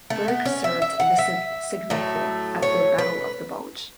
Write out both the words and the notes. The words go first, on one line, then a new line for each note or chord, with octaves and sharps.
Berg served in the Signal Corps at the Battle of the Bulge.
A3
B3
C#4
E5
E5
F#5
E5
A2 F#3 A3
C#5
B4